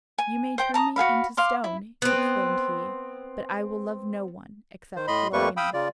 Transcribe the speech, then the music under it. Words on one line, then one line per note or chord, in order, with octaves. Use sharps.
"You may turn me into stone!" exclaimed he; "but I will love no one, except Florina."
G#5
C5 G5
A5 A#5 C#6 D#6
F#4 G#4 F5 B5
F5 C6 D6
E4
B3 C4
D#3 C5
A2 D#5 B5 C6
F2 G3 A3 A#3 B4 C#6
F5 G5 B5 D#6 E6
C#3 F4 D5